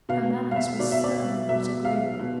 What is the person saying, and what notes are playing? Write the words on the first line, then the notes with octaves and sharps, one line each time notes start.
Her manners were certainly not agreeable.
B2 F5
F5
E5
B2 D5
E5
D5
B2 E5
F5
B2